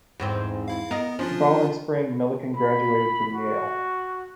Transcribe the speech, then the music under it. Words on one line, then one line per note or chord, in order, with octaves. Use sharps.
The following spring, Milliken graduated from Yale.
E2 G#2 C4
E4 F5
B3 A#4 D#5
F3 C#4 D4 F4
B5
F#4